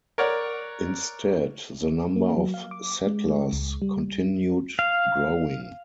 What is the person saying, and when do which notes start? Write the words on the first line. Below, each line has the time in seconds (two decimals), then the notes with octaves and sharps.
Instead, the number of settlers continued growing.
0.18 A#4 C#5 D5 F#5 F#6
2.16 A#3
2.37 F#3
2.54 F5
2.71 D6
3.07 G#3
3.27 G#3
3.53 C#2
3.82 G3
4.79 F5